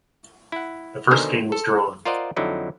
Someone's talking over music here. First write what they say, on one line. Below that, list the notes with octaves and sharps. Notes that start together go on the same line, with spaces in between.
The first game was drawn.
E4 F#5
B2 D3 D#3 C5 G#5 A#5
A4
F4 A#4 C5 D5 D#5 F#5
F2 D3 F3 F#3 D#4 E4